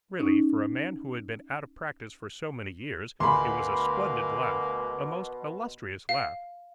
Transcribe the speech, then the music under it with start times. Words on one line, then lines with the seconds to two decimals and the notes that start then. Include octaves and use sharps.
Really, for a man who had been out of practice for so many years, it was a splendid laugh, a most illustrious laugh.
0.20 C#4 D#4
3.20 D2 B2 A#3 G#4 F5 B5 C6
6.09 F5